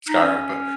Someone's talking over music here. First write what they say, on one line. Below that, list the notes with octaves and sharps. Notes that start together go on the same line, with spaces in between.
Skyrim, but,
D#4
C#4